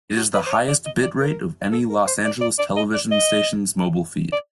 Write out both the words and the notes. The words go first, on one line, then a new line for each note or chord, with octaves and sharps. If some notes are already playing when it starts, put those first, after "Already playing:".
It is the highest bitrate of any Los Angeles television station's mobile feed.
F#4
B4
C5
C#5
D5
D#5
D5
A#4
A4
A#4
C5
D5
D5
D5
D#5
D5
D#5
D5